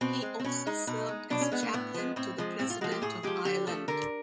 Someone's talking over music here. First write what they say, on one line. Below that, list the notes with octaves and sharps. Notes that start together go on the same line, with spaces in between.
He also served as chaplain to the President of Ireland.
B2 C4
G#3
C4
B2 C#4
G#3 D#4
B2 D#4
G#3
B2 D4
C#4
G#3 B3
A#3
A2 B3
F3 G#3
A2 C4
F3 G#3
A2 C4
F4
F3 G#3 F#4
G4
A2 G#4
F3 G#3 G4
D3 G4
F3 A3 A4
D3 A#4